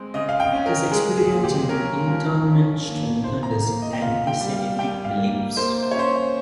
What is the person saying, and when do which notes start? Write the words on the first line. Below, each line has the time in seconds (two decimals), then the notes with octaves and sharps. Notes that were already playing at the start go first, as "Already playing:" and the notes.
His experience in internment strengthened his antisemitic beliefs.
Already playing: G#3 C4
0.14 C#3 D#5
0.29 F5
0.40 G5
0.53 C#4
0.66 A#4
0.91 G#3 G#4
1.18 G#4
1.31 A#2
1.44 G4
1.69 C#4 A#4
2.08 F3
2.47 C#4
2.86 A#3
3.24 D#3 C5
3.43 A#5
3.63 A#3
3.82 D#5
3.93 G5
4.02 F4 F5
4.27 G5
4.41 G3
4.54 F5
4.79 G3 G5
5.05 F5
5.18 A#3
5.57 A#3 C5
5.83 C5
5.91 C#5
5.95 C#4 C5